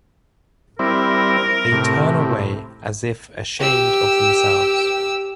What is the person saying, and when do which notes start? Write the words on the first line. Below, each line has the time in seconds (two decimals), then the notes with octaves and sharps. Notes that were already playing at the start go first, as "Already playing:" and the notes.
They turn away as if ashamed of themselves.
0.79 G3 C4 E4 A#4
1.72 A2 C3
3.60 G4 E6